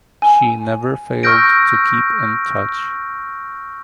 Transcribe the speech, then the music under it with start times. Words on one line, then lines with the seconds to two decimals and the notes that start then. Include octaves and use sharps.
She never failed to keep in touch.
0.22 G#5
1.23 C#6 E6 F6 G6 A#6 D7